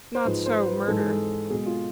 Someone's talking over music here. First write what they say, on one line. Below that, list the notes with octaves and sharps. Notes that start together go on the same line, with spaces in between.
Not so, murder.
C5
G#2 F3 G#3 B4
C5
B4
G#2 E3 G#3 A4
G#4
A4
B2 G#3 G#4
F4